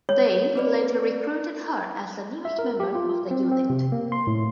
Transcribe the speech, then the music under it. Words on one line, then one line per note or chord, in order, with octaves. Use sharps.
They later recruited her as the newest member of the unit.
C#5
C4 B4 D5
E5
A#4
G4
F4
C4
C4
C3
A#3
C6
A2